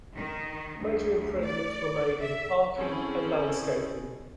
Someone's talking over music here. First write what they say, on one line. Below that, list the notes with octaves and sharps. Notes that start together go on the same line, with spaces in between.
Major improvements were made in parking and landscaping.
D#3
D2
D5
E5
C4 C#4 E4 G#4 A4